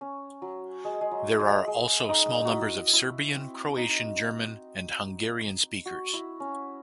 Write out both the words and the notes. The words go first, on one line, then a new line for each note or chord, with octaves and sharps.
There are also small numbers of Serbian, Croatian, German, and Hungarian speakers.
C#4
F#3
G#3
G#3
F#3
G#3
G#3
D#4
F#4
E4
E4
C4
D#4
F#4
E4
C#4